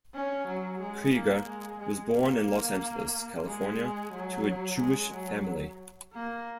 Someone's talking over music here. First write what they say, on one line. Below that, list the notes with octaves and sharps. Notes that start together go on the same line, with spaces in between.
Krieger was born in Los Angeles, California to a Jewish family.
C#4
F#3
G#3
A#3
G#3
G#3
A#3
G#3
F#3
G#3
F#3
A#3